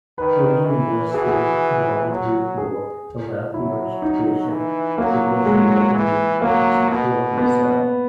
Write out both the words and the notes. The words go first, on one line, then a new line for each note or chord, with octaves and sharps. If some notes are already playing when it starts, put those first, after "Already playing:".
Holding Worcester along with York allowed the archbishop sufficient revenue to support himself.
D#3 B4
E3
E3 G#4
F#4
G#4
F#3
G#4
F#3 E4
D#4
E3
F#3 A#3
G#3
E3
F#3 A#3
B2
B3